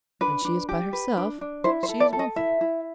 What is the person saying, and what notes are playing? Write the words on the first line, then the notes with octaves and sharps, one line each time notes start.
When she is by herself, she is one thing.
D4 B4
D4
G4
B4
D4
D4
E4 C5
C5
A4
D5
A4
D#5
E4 E5
E4